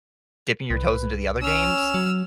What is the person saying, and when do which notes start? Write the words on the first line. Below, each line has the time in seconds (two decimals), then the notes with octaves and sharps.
dipping your toes into the other games?
0.70 C2 B4
1.42 C#4 E6 F6
1.94 F#3